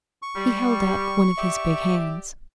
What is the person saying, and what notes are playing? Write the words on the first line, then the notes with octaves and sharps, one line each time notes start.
'He held up one of his big hands.
C#6
G3
G4 D5 E5